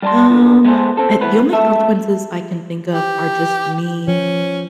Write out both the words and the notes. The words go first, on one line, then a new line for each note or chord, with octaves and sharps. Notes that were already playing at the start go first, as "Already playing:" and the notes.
Um, I the only consequences I can think of are just me,
G3 D5 G#5 A5 C6
E2 A#2 D3
G#3 A3 B3 G#4 A4 C5
C4 A4
E3 B3 B4
G#3 A4 E5
G4
F3 C#4